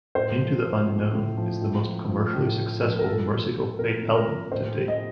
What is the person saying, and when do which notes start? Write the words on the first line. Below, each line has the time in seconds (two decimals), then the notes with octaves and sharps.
"Into the Unknown" is the most commercially successful Mercyful Fate album to date.
0.15 A2 C5
0.41 F3
0.64 F3
0.88 A2
1.13 A2
1.37 F3
1.61 A2
1.85 F3
2.09 F3
2.34 A2
2.58 A2
2.82 F3
2.99 A#4
3.06 A#2 A4
3.31 F3
3.55 F3
3.78 A#2 A#4
4.03 A#2
4.15 A#4
4.28 F3
4.51 A2 C5
4.76 G3
4.88 D#5